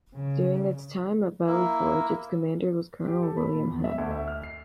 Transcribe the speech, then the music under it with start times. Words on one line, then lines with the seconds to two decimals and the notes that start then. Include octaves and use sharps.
During its time at Valley Forge its commander was Colonel William Heth.
0.15 C#3
1.47 A#3 E4
3.07 G4
3.23 A4
3.37 B5
3.52 A#2
3.67 E2
3.84 E5
3.98 D2
4.11 E5
4.28 F6
4.43 C7